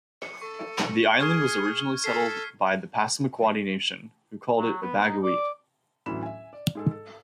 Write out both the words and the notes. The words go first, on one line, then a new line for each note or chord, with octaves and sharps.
The island was originally settled by the Passamaquoddy Nation, who called it Ebaghuit.
C#7
A4 C#6
G#4 C#6 F6 G#6
A4 F6 B6 C7
F#3
B3
D#4
D5
A1 D2 E3 F#3 B5 E7
E5 G#5
D5
G#2 G#4 A4
A4